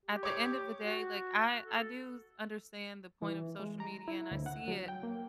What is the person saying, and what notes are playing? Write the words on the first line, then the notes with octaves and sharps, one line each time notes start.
at the end of the day, like, I I do s understand the point of social media, and I see it.
G4
C#5 D6
F#4
A4
E3
G#3
A#5
E4
D2
F#5
F#3
G5
A#3